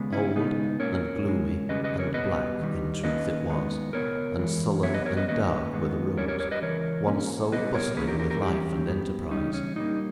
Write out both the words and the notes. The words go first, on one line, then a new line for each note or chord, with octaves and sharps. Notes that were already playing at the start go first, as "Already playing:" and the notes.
Old, and gloomy, and black, in truth it was, and sullen and dark were the rooms, once so bustling with life and enterprise.
Already playing: D#2 C#3 G#3 B3
C#4 E4
D#2 C#3 G#3 B3 D#4
A#2 A#3 C#4 A#4 C#5
C#2 C#3 G#3
D#2 C#3 G3 C#4 B4 D#5
B4 D#5
A#4 C#5
B2 G3 B3 B4 D#5
D#2 D#3 G3
D#2 D#3 A#3 C#4 B4 D#5
G#2 D#3 G#3 B3
C#2 B2 G#3 B3 A#4 C#5
G2 E3 G#3
G2 G3 B3 C#5 E5
B4 D#5
A#4 C#5
B4 D#5
G2 D#3 A#3 C#4 B4 D#5
G2 D#3 G#3 B3
G2 G3 C#4 A#4 C#5
A#4 C#5
A#4 C#5
B4 D#5
C#2 C#3 E3 A#4 C#5
A#2 A#3 C#4
C#2 C#3 G3 B3 B4 D#5
A#4 C#5
G#2 E3 A#3 C#4 G#4 B4
G4 A#4
G4 A#4
G4 A#4
G#2 E3 G3 C#4 D#4 G4
G#2 G3 B3
E2 C#3 G3 C#4 D#4
C#4
A#2 G3 A#3 D#4